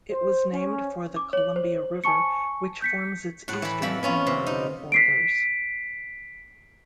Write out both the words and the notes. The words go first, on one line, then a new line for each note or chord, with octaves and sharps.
It was named for the Columbia River, which forms its eastern and northern borders.
C5
C#4
D6
C#5 F#7
C5
G#5 A5 C#6 C#7
G6 B6 C#7
A2 F#5
E3 B5
F2 E4 B5
B3 C#4 F4
C3
D#4
B6 C7 D7